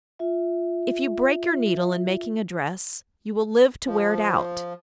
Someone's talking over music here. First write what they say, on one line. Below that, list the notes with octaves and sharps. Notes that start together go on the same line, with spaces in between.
If you break your needle in making a dress, you will live to wear it out.
F4 E5
F3